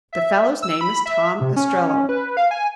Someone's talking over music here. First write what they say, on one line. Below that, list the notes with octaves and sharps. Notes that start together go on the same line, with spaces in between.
"The fellow's name is Tom Ostrello."
E5
E6
B5
E5
C3
C#4
B4
F5
G#5